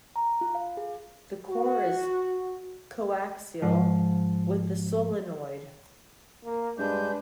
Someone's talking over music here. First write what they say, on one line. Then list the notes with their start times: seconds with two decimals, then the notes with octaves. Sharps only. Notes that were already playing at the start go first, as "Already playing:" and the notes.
The core is coaxial with the solenoid.
0.16 A#5
0.41 F4
0.55 F5
0.77 G#4
1.49 F#4
3.62 G#2 F3
6.45 A#3
6.79 G2 G#3 D4 B4 G6